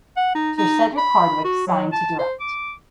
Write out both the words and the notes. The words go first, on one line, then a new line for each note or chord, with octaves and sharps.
Sir Cedric Hardwicke signed to direct.
F#5
D#4
D#4
B5
F#4
F#3
A5
C5
D6